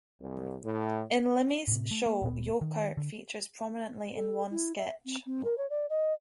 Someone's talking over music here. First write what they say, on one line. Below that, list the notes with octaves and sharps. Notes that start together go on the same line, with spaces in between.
In Limmy's Show Yoker features prominently in one sketch.
C2
A2
A2 C3
A3
A#3
D1 A#2 B3
D#3
D3
A4
E4
E5
C4
C4
A#4
C#5
D5
D#5